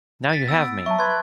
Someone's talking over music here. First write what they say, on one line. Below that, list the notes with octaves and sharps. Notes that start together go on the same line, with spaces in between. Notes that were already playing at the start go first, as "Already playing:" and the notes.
Now you have me!
A6 B6
B3 E6 D7
F#3 E5 A5 C#6
B4 C6 G#6